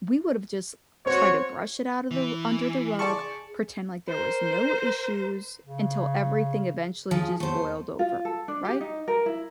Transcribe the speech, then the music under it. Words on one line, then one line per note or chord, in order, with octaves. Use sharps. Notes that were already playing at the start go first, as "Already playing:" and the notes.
we would've just tried to brush it out of the r under the rug, pretend like there was no issues, until everything eventually just boiled over," right?
C4 F#4 C5 C#5
E3
G#4 D5 A5 C#6
A#4 C5
C#3
F3 G#4
E2 A3 C5
F4
A4
D4
G4
D#4
A#4
E4